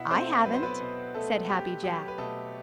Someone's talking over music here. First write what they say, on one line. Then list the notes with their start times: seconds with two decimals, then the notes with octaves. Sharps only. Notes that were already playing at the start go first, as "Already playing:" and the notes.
"I haven't," said Happy Jack.
Already playing: B2 E4 E5 F#5
0.11 A3 C4 C5
0.45 F#3 B4
0.54 C5
0.63 B3 B4
0.80 B2
1.14 B2 A3 A4
1.49 A3 G4
1.84 F#3 G4
2.08 B4
2.18 B2 A3 A4